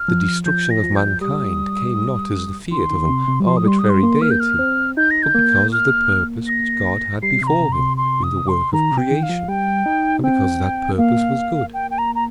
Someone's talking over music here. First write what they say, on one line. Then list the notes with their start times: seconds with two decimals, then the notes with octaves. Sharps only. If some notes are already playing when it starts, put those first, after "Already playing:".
The destruction of mankind came not as the fiat of an arbitrary Deity, but because of the purpose which God had before him in the work of creation, and because that purpose was good.
Already playing: F6
0.08 F3
0.45 F3 G6
0.70 A#6
0.84 F3
0.96 G6
1.21 G3 D#6
2.71 D#3 C6
2.91 D#3
3.09 C3
3.28 C3
3.40 G3
3.46 F3 C6
3.57 D#6
3.66 G3 C6
3.79 D#6
3.84 G3
3.90 C6
4.03 A#3
4.22 A#3 F6
4.31 G6
4.40 F6
4.59 C4
4.97 D#4 G6
5.11 A#6
5.23 G6
5.35 A#3
5.73 F6
6.47 A#6
7.22 G3 C7
7.41 C3 C6
7.47 A#5
7.60 C3
7.72 C6
7.79 C3
7.97 C6
8.23 D#6
8.48 C6
8.73 D#3 A#5
8.92 C3
8.98 G5
9.11 D#3
9.23 F5
9.29 F3
9.48 G3 G5
9.86 D#4
10.24 C4 G5
10.98 A#3 F5
11.74 G5
11.91 G5
11.98 A#5
12.15 A#5